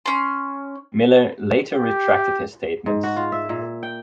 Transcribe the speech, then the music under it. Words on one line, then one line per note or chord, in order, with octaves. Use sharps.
Miller later retracted his statements.
C#4 C6
G4
G#2
F#4
F4
E5
A#2
G5